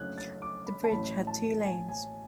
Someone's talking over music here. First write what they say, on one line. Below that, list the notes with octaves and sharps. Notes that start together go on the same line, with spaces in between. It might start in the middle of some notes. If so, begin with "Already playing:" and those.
The bridge had two lanes.
Already playing: F#1 F#2 D3 A3 F#6 G#6
A6
D6
B5
A5
A1 A2 F#3 B5
A5
G#5
G#5